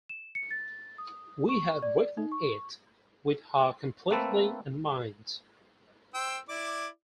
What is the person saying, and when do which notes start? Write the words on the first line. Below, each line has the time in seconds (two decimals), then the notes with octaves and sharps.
We had written it with her completely in mind.
0.09 E7
0.35 C#7
0.51 A6
0.98 D#6
1.49 C#6
1.83 D5
2.17 D#4
2.32 C#6
4.10 A3 A#3 C4 A4 B4
6.14 C5 G5 E6
6.49 E4 D5 D6